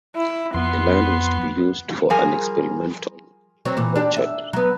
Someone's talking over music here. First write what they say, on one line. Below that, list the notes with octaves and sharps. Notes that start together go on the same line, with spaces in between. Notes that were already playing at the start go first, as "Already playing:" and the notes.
The land was to be used for an experimental orchard.
E4
F2 B3 C6
F3 G3 G#4 A#4 G#5
F#3 C4
A#2 E3
D4 G4
E5
F#3 B3